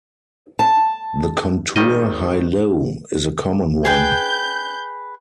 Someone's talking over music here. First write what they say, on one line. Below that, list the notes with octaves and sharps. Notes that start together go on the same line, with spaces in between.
The contour high-low is a common one.
A5
G#1 D#3 G3 D#5
G#4 B4 G5 G6